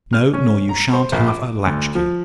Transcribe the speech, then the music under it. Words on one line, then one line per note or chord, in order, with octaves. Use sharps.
No: nor you shan't have a latchkey.
F6
C#4
A#5
C5
A#1
D6
D2
F3